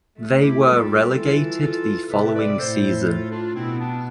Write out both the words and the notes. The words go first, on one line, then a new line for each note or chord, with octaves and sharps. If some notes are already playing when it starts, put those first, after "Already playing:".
They were relegated the following season.
A3
E4 G4
G3 F4 A4
E3 F4 A4
F4 A4
C3 G4 B4
E5
B4 D5
A2 A4 C5
F4 A4
D4 F4
B2 C4 E4
B3 D4